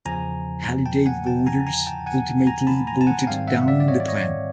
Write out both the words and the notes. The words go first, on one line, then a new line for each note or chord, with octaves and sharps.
Halliday voters ultimately voted down the plan.
E2 C#3 F3 G#5 A#5
G5 A5
F#5 G#5
G5 A5
G#5 A#5
G#5 A#5
G5 A5
F#5 G#5
G#5 A#5
A5 B5
G#5 A#5
A5
F#5 G#5
G#2 D#3 G3 C4 F5 G5
E5 F#5
D5 E5
D5
C#5 D#5
D5
C#5 D#5